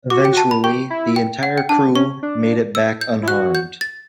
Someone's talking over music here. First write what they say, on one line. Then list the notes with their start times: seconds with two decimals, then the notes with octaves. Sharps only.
Eventually, the entire crew made it back unharmed.
0.10 F#4 D6
0.22 G4 G5
0.33 F#4
0.37 A5
0.51 B5
0.63 G4 C#6
0.90 E4
1.16 G5
1.43 F#5
1.58 G5
1.69 D4 A5
1.95 C#4 C#6
2.23 D4
2.75 E6
3.01 G6
3.23 E4
3.28 F#4 F#6
3.55 G6
3.81 A6